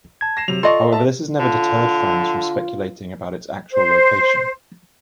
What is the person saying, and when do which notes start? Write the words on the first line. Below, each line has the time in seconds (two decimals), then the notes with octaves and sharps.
However, this has never deterred fans from speculating about its actual location.
0.21 A5 G#6
0.37 A#6 C7 E7
0.48 C3 F#3 F7
0.63 F4 A4 D5 D#5 C6 C#6
0.92 E5 A5
1.39 D3 F4
3.72 C5